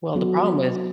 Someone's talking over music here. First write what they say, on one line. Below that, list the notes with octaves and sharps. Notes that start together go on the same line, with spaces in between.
Well, the problem is
F#3 B3 F#4 A4